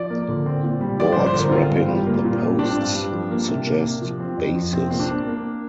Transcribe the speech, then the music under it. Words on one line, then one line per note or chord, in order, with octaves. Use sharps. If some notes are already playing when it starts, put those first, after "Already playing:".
Boards wrapping the posts suggest "bases".
Already playing: F3 D5
A#3
D3
C4
A#2
G3
F3 D5
G2 C5
C5
D3 A#4
C4 F4
G2
G3
A#3
A#2
G3
C4 D4
G2
G3
F3
A#3
C3
A#3
C3
F3
C4
F2
F3
C3 C4
A#3 C4
D4
A#3
A#3